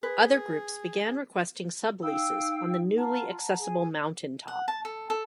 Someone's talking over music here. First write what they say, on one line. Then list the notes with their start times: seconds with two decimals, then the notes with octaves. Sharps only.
Other groups began requesting subleases on the newly accessible mountaintop.
0.03 G#4 B4
2.02 D#4 F5 G5 E6
2.97 F4 F#5 A5 A#5
3.58 G#4
4.48 F#5
4.68 A5
4.85 A4
5.10 A4